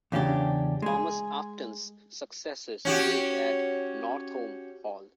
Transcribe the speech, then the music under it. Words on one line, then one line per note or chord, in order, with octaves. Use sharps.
Thomas Upton's successors lived at Northolme Hall.
E2 C#3 C#4 D4 G4
G#3 G#4
C#4 F#4 G4